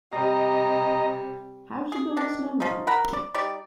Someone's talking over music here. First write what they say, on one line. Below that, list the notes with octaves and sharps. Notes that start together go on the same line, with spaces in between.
How to build a snowman.
C3 G3 D#5 A#5
G#4
D#3 D4
F3 C#4 D#4
A#4 F#5 A#5 B5
D5
G3 D#4 D5